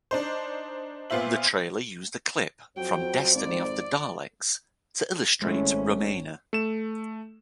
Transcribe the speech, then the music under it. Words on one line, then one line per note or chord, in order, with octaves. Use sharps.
The trailer used a clip from "Destiny of the Daleks" to illustrate Romana.
D4 D#4 C5
A#2 B3 F4 C5 E5 F#7
F2 F#3 C5 G5
G#1 D5
G#1 G#3 A3 C#4 E4
A3 E7